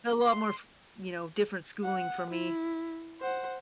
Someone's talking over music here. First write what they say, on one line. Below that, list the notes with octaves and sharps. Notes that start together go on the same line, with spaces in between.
a lot more f you know, different schooling for me.
C6
F#5
E4
C5 F#5